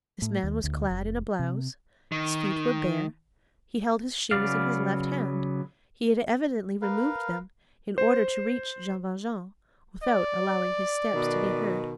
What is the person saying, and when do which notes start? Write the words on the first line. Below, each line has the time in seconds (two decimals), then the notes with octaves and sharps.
This man was clad in a blouse; his feet were bare; he held his shoes in his left hand; he had evidently removed them in order to reach Jean Valjean, without allowing his steps to be heard.
0.22 A2
0.43 D#2
0.64 D2
0.90 F1
1.39 C3
2.12 D#3
4.31 C#3 F#3 B3 D5 F5
6.82 A#4 B4 F5
7.98 C5
10.03 D5
11.13 B2 D#3